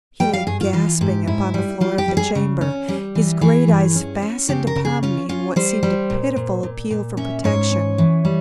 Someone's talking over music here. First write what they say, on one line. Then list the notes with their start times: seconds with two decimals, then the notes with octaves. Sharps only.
He lay gasping upon the floor of the chamber, his great eyes fastened upon me in what seemed a pitiful appeal for protection.
0.20 G3 G5
0.33 F5
0.47 G2 G#4
0.61 F4
0.73 E3 F4
1.01 G#2 G4
1.27 G#2 E4
1.54 G3
1.81 G3 F4
1.98 G4
2.08 G3
2.17 G#4
2.35 C#3
2.61 C#4
2.88 G3
3.15 E3
3.41 E3 G#4
3.68 G2
3.96 C#4
4.22 C#4
4.49 C#3 G4
4.67 A#4
4.76 C#3
4.85 G#4
5.03 C#4 F4
5.29 C#4 F4
5.56 G3 C5
5.83 G3
6.10 A#2
6.36 A#2
6.63 A#2
6.90 A#2
7.17 C#4 E5
7.44 G#2 C#5
7.71 C#4
7.98 E3
8.25 G3